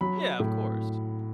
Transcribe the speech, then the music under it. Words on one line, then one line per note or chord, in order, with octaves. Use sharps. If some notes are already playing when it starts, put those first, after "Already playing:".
Yeah, of course.
F#3 B5
A2